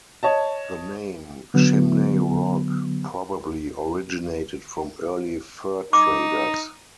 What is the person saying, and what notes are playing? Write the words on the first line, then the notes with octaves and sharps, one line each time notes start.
The name "Chimney Rock" probably originated from early fur traders.
C#5 D#5 A5
D3 F#3 B3
D#4 D6